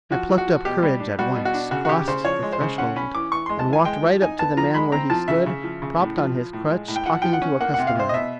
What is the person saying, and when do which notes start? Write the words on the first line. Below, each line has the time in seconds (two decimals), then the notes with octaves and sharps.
I plucked up courage at once, crossed the threshold, and walked right up to the man where he stood, propped on his crutch, talking to a customer.
0.11 F3 F#4
0.29 F3
0.38 F#4
0.47 F3
0.65 B2 G4
0.83 G3
1.00 D4
1.19 G3 F#4
1.35 B2
1.45 F#4
1.54 D4
1.71 C#3 F#4
1.85 F#4
1.89 C#3 G4
2.08 C#3 C5
2.25 F3 C#5
2.42 G#3
2.52 C5
2.61 C#3
2.78 C#4 F#5
2.96 C#4 B5
3.14 E3 D6
3.32 E3 C#6
3.46 G#3 C6
3.59 A5
3.68 E3 G#5
3.85 G#3 G5
4.03 F3
4.21 D#4 G#5
4.39 B3 A5
4.57 F3 A#5
4.74 G#3 B5
4.92 C4 A#5
5.10 F3 A5
5.28 C#3 E5
5.46 C#3
5.64 F3
5.82 C#3
6.00 A2
6.17 F3
6.35 F3
6.53 A2
6.70 G#3
6.88 A2
6.96 G5
7.06 F3 F#5
7.22 F3 G5
7.33 F#5
7.42 C#4
7.61 A#3 F#5
7.74 C3 F#5
7.87 F5
7.95 C3 C5
8.09 D#5
8.14 B2 E5